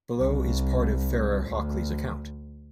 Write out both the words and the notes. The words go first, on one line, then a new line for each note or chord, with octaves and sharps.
Below is part of Farrar-Hockley's account.
C2
D2